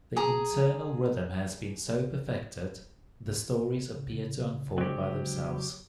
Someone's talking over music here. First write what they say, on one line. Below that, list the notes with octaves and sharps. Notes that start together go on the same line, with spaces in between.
The internal rhythm has been so perfected, the stories appear to unfold by themselves.
G#4 A#5 D#6
C#3
D3 F#3 G#3 C4 G4